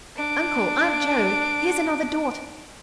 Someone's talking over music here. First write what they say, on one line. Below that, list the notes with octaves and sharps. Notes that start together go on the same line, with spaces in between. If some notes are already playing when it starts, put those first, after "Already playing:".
'Uncle, Aunt Jo, here's another daughter!
D4 D7